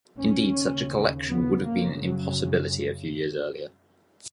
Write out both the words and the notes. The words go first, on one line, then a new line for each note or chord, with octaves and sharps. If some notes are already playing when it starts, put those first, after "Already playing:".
Indeed such a collection would have been an impossibility a few years earlier.
D#2 C#3 C#4
B3
F#2 C#3 A#3
F#3